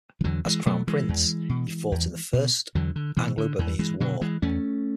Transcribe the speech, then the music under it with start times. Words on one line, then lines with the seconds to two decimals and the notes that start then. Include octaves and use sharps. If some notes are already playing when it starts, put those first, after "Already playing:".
As crown prince, he fought in the First Anglo-Burmese War.
0.21 E3
0.24 E2 D3 F#3
0.46 E3 G#3
0.66 B2 F#3 A3
0.87 E3 G#3
1.09 E2
1.49 B2
1.92 E2
2.33 B2
2.75 E2 D3 F#3
2.96 D3
3.17 B2 E3
3.38 D3
3.59 E2 E3
3.79 E3 G#3
4.00 B2 D3 F#3
4.21 E3 G#3
4.42 E2 A3 C#4